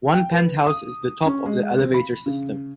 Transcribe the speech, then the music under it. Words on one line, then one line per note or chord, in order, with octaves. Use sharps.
One penthouse is the top of the elevator system.
G5
B4
D#6
C#4
G#3
C4
B5
C#3